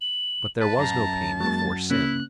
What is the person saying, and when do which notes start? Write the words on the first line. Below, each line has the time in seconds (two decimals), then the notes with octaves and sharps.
But there was no pain before sin.
0.01 F#7
0.62 B4 A5
0.78 F#2 A#5
1.40 F#3 G#3 A#3 A6
1.90 C#3 A#3 C#4 E4 F#6